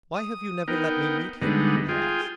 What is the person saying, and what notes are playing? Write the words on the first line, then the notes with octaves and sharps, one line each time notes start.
"Why have you never let me meet him?" I asked.
D#6
B3 D#4 A#4 G5
D3 G3 G#3 B3 D#4
F4 G#4 G5